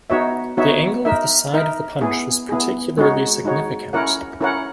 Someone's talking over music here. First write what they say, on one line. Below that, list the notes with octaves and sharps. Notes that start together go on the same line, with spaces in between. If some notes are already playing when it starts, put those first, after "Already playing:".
The angle of the side of the punch was particularly significant.
B3 D#4 F#4 C#5 E5
B3 D#4 F#4 C#5 E5
D#4 A#4 E5
D#4 A#4 E5
B3 E4 G#4
B3 E4 G#4
G#3 D#4 F#4 C#5
G#3 D#4 F#4 C#5
C#4 E4 A#4 C#5 F#5
C#4 E4 A#4 C#5 F#5